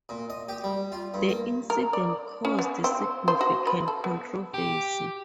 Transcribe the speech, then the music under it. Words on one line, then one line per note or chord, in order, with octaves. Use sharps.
The incident caused significant controversy.
A#2
D#5
G4
G3
F4
G2
A#3
A#4
D5
C#4
B3
C4
C5
F#4
B4
A4
B3
G4